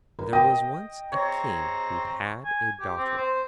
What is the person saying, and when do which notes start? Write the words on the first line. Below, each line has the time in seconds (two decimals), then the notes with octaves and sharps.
There was once a King who had a Daughter.
0.19 A#4
0.33 D#5 G5
1.12 C4 C#5 A#5
2.45 G#5
2.80 G4
2.97 C4
3.17 C5